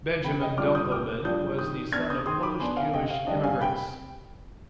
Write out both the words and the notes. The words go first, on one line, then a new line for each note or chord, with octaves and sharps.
Benjamin Dunkelman was the son of Polish-Jewish immigrants.
C3 G5 B5
D#5 G5
G3 D4 F4 D6 F6
D#6 G6
C3 D6 F6
G3 D4 F4 D#6 G6
D#3 D#6 G6
B3 D4 F6 G#6
D#6 G6
D#3 C6 D#6
B5 D6
B3 D4 G#5 C6
F5 G#5
C3 D#5 G5
F5
G3 D4 D#5 G5
F5 G#5
C3 G5 B5